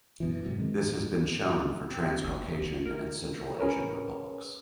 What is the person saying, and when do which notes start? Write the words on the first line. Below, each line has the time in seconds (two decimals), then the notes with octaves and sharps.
This has been shown for Transcaucasian and Central Asian republics.
0.20 F#2 B2 E3
0.44 G#2 C3 F#3
0.58 D#3 G#3
1.91 C4
2.24 G1
2.86 A#4
3.59 C#4 G#4 A#4 B4 C#5